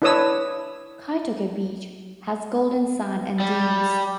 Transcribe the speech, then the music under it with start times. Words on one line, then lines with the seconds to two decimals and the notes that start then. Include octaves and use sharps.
Kaitoke Beach has golden sand and dunes.
0.02 D4 E4 B4 C#5 D#6 E6
3.40 G3